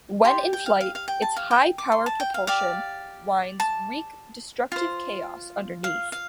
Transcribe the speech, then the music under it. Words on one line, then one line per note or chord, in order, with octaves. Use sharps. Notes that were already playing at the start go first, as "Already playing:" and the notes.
When in flight, its high-power propulsion winds wreak destructive chaos underneath.
G4 D5 C6
G5
F5
F5
F5
G5
A5
F5
G5
D6
C6
A5
G5
F5
G4 D5 F5
A5
F4 C5
F5
F5